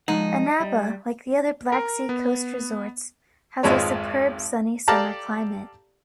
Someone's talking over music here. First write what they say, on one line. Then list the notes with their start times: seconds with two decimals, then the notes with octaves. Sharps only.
Anapa, like the other Black Sea coast resorts, has a superb sunny summer climate.
0.08 F3 G#3 D#4 F#5
0.60 G3
1.72 A#4
2.09 B3
3.63 G#1 F2 F3 G#3 B4 C#5
4.88 G4 A4 D5 F5 A5 A#5